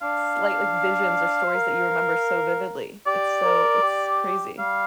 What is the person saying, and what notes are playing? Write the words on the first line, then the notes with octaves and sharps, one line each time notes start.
slight, like, visions or stories that you remember so vividly. It's so it's crazy.
D4 F5
C5
A#4
G4 D5
A#4
G4
G3 F5